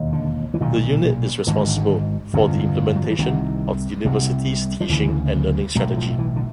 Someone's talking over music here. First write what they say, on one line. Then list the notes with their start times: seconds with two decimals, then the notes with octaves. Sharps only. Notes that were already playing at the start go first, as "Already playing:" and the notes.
The Unit is responsible for the implementation of the university's Teaching and Learning Strategy.
Already playing: E1 D#2
0.12 D3
0.54 E3
0.60 B1 A#2 D#3
1.47 G#1 G#2 D3
2.33 G1 F2 C3
2.96 F#3
3.04 F3
3.10 E3
3.19 C2 C3 D#3
4.05 C2 C3
4.81 F3
4.89 D2 C#3 E3
5.75 B1 A2 F#3
5.97 F3
6.18 E3
6.36 D3